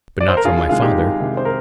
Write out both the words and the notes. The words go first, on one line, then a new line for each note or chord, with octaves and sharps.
But not from my father.
D5
C5
A#4
C2 F4 G#4
F4
C3 D#3 G#3 F4
D#4 G4
C2
C3 D#3 G#3
C5
A#4